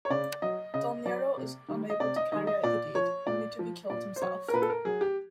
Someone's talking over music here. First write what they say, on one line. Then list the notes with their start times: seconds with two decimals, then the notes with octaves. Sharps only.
Dolnero is unable to carry out the deed, only to be killed himself.
0.05 C#5
0.10 C#3 D5
0.42 F#3 D#5
0.74 C#3 D#5
1.05 F#3 D5
1.37 C3
1.68 D#3 G3
1.90 D#5
2.00 C3 D5
2.16 D#5
2.32 D#3 G3 D#5
2.47 D#5
2.64 A#2 D5
2.95 F3 C#5
3.27 A#2 D5
3.59 F3
3.90 A#2 D5
4.16 C5
4.22 F#3 C#5
4.48 A#4
4.53 A#2 B4
4.62 A4
4.70 A#4
4.85 F#3 G#4
5.01 G4